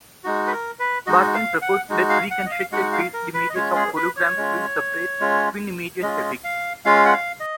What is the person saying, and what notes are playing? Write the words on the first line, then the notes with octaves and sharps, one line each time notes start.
Barton proposed that reconstructed phased images of holograms will suppress twin images effects.
G#3 D#4 F#4
B4
A#4
B4
G#3 D#4 F#4 D#5
F5
F#5
G#3 D#4 F#4
F5
F#5
D#5
F5
G#3 D#4 F#4 F#5
F5
A#4
B4
D#5
G#3 C#4 F4 C#5
G#4
B4
C#5
G#3 C#4 F4
G#3 C#4 F4
G#3 C#4 F4 D#5
F5
G#3 C#4 F4 F5
F#5
F5
D#5